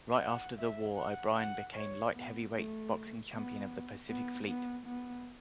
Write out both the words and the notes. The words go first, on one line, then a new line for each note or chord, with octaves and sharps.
Right after the war O'Brien became Light Heavyweight boxing champion of the Pacific Fleet.
F#5
E5
F#5
F#5
C#5
B3
A3
B3
B3
B3
B3